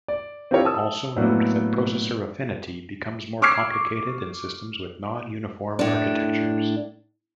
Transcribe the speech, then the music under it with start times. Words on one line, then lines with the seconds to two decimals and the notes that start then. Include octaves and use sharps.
Also note that processor affinity becomes more complicated in systems with non-uniform architectures.
0.08 D5
0.51 C4 E4 F4 G4 A#4 C#5
0.65 A5 D#6 E6
1.16 A2 F#3 A#3 B3 D4
3.42 C#6 D6 E6 F6 G#6 C7
5.79 A2 D4